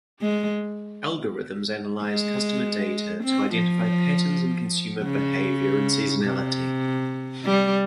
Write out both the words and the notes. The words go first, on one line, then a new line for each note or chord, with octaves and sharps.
Algorithms analyze customer data to identify patterns in consumer behavior and seasonality.
G#3
G#3
C4
F3
C#3
C3
G3